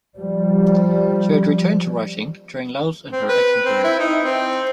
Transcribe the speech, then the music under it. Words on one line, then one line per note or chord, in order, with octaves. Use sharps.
She would return to writing during lulls in her acting career.
F3 G3
C4
B4
C4
E4
D#4
C4